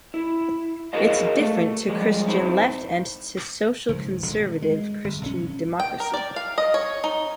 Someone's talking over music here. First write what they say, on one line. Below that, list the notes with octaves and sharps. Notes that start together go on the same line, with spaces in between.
It's different to Christian left and to social-conservative Christian democracy.
E4
F#4 G#4 A#4 B4 D#5 F5
A3 A4
F3 G3 G#3
C4 D#4 E4
C#2 G#2 F3
G#1 B2 D3
G#3
G1
B1 G3 C#4
G5
A#4
D5
F5
D#5
C#5
D#4